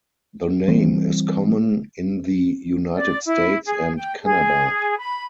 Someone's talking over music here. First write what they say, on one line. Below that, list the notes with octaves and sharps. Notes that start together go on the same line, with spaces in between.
The name is common in the United States and Canada.
E3 G3 C4
D5
E4
G#4
G5
G#4
B5